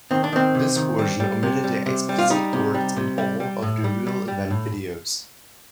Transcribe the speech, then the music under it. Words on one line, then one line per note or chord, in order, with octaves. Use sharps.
This version omitted the explicit words and all of the real-event videos.
D#3 C4
D4
D#3 C4
C3
D#3
G3
G3
C3
G3
C3
G3
F4
G3 D#4
C3
G3
C3
G3
G3
A2
G3
G3
G3
A2